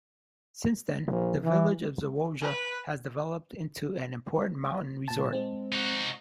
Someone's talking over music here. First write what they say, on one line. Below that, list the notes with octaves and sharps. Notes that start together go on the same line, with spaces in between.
Since then the village of Zawoja has developed into an important mountain resort.
A#1
E3
B4
A#2 A5
G#3 C4
D#4 F#4